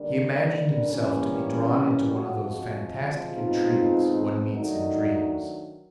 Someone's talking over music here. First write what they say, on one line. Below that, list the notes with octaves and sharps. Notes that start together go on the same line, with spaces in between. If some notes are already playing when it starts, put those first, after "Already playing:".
He imagined himself to be drawn into one of those fantastic intrigues one meets in dreams.
Already playing: D3 G3 A#3 D4
E3 G3 A#3 C#4
C3 F3 G#3 F#4
B2 G#3 C4 D#4 F4
D#3 F#3 A3 D4 D#4